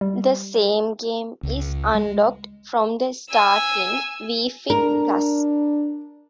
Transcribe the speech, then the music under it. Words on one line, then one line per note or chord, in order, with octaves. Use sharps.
The same game is unlocked from the start in "Wii Fit Plus".
G3
C#2
G#3
G#5 E6
D4 A#4